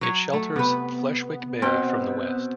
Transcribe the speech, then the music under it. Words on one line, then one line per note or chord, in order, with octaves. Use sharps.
It shelters Fleshwick Bay from the west.
F#3 F#4 C#5
A3
C3 B3 B4
B2 C4 A#4 G5